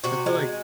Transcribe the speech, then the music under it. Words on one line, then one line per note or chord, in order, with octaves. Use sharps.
I feel like
C3 F#4
G#3